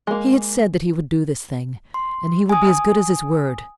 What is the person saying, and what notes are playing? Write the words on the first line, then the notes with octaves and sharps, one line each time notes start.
He had said that he would do this thing, and he would be as good as his word.
G#3 A#3
C6
G#5 D#6